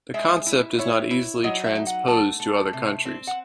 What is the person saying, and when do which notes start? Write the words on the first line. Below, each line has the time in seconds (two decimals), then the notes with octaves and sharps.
The concept is not easily transposed to other countries.
0.14 G#3 E5
0.46 E4
0.79 E4 C#5
1.11 E4
1.44 F#3 D#5
1.64 E5
1.75 D#4
1.87 F#5
2.07 A3 A5
2.40 A3
2.73 C3
3.05 C4
3.27 F#5